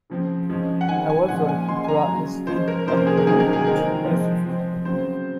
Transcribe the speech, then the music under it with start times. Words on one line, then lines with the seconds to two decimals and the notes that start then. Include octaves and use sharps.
However, he brought his good upbringing into a life of crime.
0.10 C#3 F3 C4
0.50 F3 G#3 C#4
0.81 F#5
0.89 D#3 G#3 C4 G#5
1.09 G#5
1.28 A#2 F3 G#3 C#4 F#5
1.49 G#5
1.68 F3 G#3 C#4 C6
1.84 G#5
1.88 A#5
2.07 C#3 F#3 C#4
2.47 F3 G#3 C#4 C5
2.68 A#4
2.87 C3 F3 A#3 C#4 C5
2.97 A#4
3.07 G#4
3.17 A#4
3.27 C3 D#3 F#3 A#3 C#4 G#4
3.40 A#4
3.53 G#4
3.67 D#3 G#3 C4 A#4
4.05 F3 G#3 C4
4.45 F3 C4
4.85 C#3 F#3 C4 C5